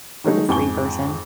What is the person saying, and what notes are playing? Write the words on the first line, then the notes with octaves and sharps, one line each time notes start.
for the free version.
D#3 F#3 G#3 A3 D#4
F2 G#2 G5 G#5 C#6 G7